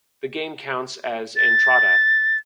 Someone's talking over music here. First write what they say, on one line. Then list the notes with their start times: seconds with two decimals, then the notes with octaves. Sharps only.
The game counts as "Entrada".
1.37 A6